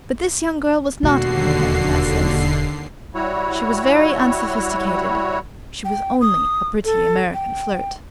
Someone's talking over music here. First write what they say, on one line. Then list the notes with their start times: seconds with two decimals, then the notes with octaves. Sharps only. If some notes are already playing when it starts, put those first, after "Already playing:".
But this young girl was not a coquette in that sense; she was very unsophisticated; she was only a pretty American flirt.
1.03 E1 D#2 D3 F#4 C7
3.15 G3 E4 F#4 C#5
5.85 G5
6.21 D#6
6.85 A4
7.34 G5